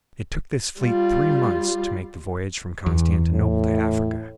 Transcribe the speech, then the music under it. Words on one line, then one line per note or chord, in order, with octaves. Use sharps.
It took this fleet three months to make the voyage from Constantinople to Africa.
G3 F4
E2
A2